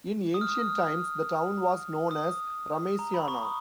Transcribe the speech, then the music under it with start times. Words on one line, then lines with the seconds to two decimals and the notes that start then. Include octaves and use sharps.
In ancient times, the town was known as Remesiana.
0.34 D#6
0.41 F6
0.49 D#6
2.11 D#6
2.99 A#5
3.14 B5
3.28 C#6
3.43 D#6